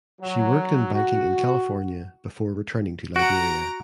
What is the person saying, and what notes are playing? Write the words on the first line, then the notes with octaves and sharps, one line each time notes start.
She worked in banking in California before returning to Liberia.
F#3
F#4
F#4 F#5 A#5 D7